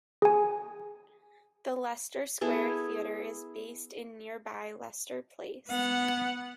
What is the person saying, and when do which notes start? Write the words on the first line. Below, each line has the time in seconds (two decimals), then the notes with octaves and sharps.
The Leicester Square Theatre is based in nearby Leicester Place.
0.22 G#4 G#5
2.41 B3 E4 G#4 A4
5.69 B3 F#5